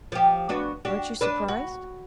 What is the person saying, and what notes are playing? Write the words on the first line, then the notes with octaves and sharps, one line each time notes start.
"Aren't you surprised?"
F3 G4
B3 D4 F#4
D4 F#4 G4
D4 B4
F#4